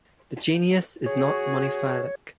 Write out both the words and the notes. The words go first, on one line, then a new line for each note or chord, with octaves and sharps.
This genus is not monophyletic.
F#4 G#4 C#5